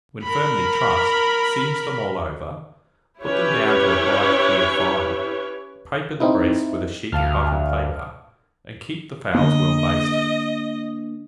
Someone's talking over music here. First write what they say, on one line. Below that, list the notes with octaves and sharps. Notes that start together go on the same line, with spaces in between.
When firmly trussed, singe them all over; put them down to a bright clear fire, paper the breasts with a sheet of buttered paper, and keep the fowls well basted.
A#4 B5
C#4 E4 G4 B4 C#5
C4 D#4 E4
D2 F5 A5 F6
D3 A#3 B3 D4 D#5